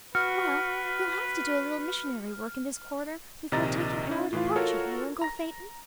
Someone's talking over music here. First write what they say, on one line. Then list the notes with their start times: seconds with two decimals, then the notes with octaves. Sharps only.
"Well, we'll have to do a little missionary work in this quarter, before taking our departure, eh, uncle Phaeton?"
0.15 F#4 B4 F6
3.52 A#1 C3 D#3 D#5 A#5 A6
4.07 C#4 D#4 E4
4.33 A2 E3 F4
4.56 F4 F#4 A4 A#4 C#5
5.22 A#5 A#6